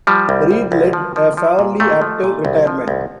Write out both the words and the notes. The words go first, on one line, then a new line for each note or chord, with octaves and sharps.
Reed led a fairly active retirement.
F3 G3
C2
C2
C2
F3
F3
F3
A#2
A#2 A3
F3
A#2
C2
F3
C2